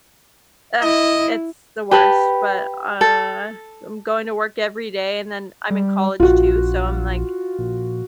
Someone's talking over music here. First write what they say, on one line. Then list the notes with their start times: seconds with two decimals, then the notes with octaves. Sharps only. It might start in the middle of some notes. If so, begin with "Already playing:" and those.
ugh it's the worst but, uh, I'm going to work every day and then, I'm in college, too, so I'm, like,
0.81 E4 D#5
1.91 G4 B4 A5 B5
3.01 A4
5.71 G3
6.20 A#1 F4 F#4
7.59 A#1